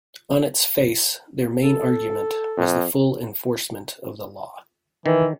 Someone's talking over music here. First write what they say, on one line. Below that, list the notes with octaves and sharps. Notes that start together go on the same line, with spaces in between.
On its face, their main argument was the full enforcement of the law.
A4
F2
D#3 E3